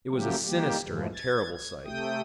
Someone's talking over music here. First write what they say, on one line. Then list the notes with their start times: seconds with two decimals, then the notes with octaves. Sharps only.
It was a sinister and terrible sight.
0.12 C#3 F3 F#3 A3 A#3 G4
0.44 D#3 G3 A#3 G4
0.85 F#2 A2 C#3 E3 F3 G#3
1.14 G#6 A6
1.53 G#6
1.85 C3 A3 G5 D#6